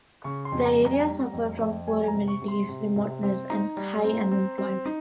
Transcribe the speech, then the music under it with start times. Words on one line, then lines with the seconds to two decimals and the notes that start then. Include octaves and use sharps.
The area suffered from poor amenities, remoteness and high unemployment.
0.24 C#3 C#6
0.45 C6
0.52 F2
0.65 A#5
0.79 G3
0.86 A#5
0.93 G#5
1.00 A#5
1.06 G3
1.33 F2
1.60 F2
1.87 G3 G#5
2.04 G#5
2.08 A#5
2.14 C3
2.28 C#6
2.42 C3
2.48 C6
2.69 C3
2.96 C3
3.23 C4
3.50 D#4 A#5
3.77 G3
4.04 C4
4.31 C4
4.58 C4
4.86 D#4